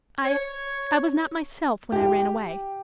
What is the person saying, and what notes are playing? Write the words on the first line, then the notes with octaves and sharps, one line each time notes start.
I--I was not myself when I ran away.
C#5
G4